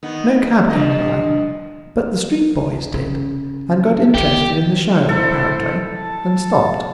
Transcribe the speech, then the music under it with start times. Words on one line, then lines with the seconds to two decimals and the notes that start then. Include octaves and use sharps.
No cab came by, but the street boys did, and got interested in the show, apparently, and stopped.
0.03 D#3 B3
0.70 G2 F3 D#5
2.94 C#3
4.14 D3 D#3 G4
5.09 E4 A4 C5
5.98 A5